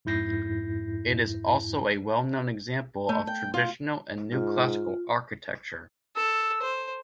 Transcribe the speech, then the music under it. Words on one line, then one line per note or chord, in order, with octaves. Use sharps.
It is also a well-known example of traditional and New Classical Architecture.
F2 G#2 E4 G6 A#6 C7
A3
G5
F4
G#2 F4
A4 E6
C5